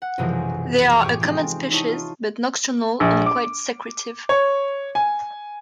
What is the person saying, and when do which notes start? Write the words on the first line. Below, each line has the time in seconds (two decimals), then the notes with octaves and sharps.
They are a common species, but nocturnal and quite secretive.
0.02 F#5
0.18 B1 F#2 C3 E3 F3 G#3
1.01 A2 G4 G#4 C#6 D6
1.20 G#3 C4 D#4 F4 G4
1.71 D#4 E4 C#5 A5 C#6 D#7
1.88 F4
3.00 A#1
3.26 D6
4.29 C#5
4.95 G#5